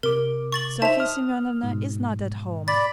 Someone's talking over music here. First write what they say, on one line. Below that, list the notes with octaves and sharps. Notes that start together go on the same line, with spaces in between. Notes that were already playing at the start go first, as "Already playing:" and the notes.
Sofya Semyonovna is not at home.
C3 A#4 D6
C#6 A6 F#7
D#4 C5 C#5 E5 A5 F7
D#6 F6
G#2 B2
D5 B5 A6